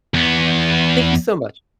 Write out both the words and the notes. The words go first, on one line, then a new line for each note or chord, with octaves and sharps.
Thank you so much.
E2 B3